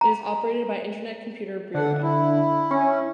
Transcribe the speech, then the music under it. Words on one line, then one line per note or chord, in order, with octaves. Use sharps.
It is operated by Internet Computer Bureau.
A#5
D3 D4 F#5
E4
C#4